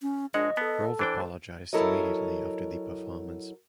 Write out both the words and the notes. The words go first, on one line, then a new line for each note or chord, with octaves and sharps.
Rove apologized immediately after the performance.
C#4
A#1 G#3 D4 D#5 F#5
B3 A4 D#5 A5
E3 D4 C5 G5
F#3 E4 A4 A#4 C#5 D#5